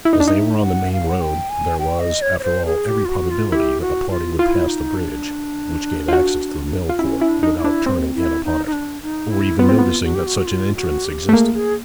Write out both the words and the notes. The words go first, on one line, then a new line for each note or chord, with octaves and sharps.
As they were on the main road there was, after all, every probability that the party would pass the bridge which gave access to the mill court without turning in upon it, or even noticing that such an entrance existed.
E4
D#4
D4
D#4
E5
F#5
F5
F#5
G5
G#5
G5
D#5
C#5
C#5
C5
G#4
G4
F4
F#4
F4
E4 G4
F#4
F4
E4 F4
D#4
D4
F4
F#4
F4
C#4 E4
E4
D4
D#4
E4
D4
C4
E4
D#4
D#4
D4
D#4
E4
B3 F4
C4
B3
F#4
G4
F#4
F4
F#4
G4
A3
A#3 G#4
G#4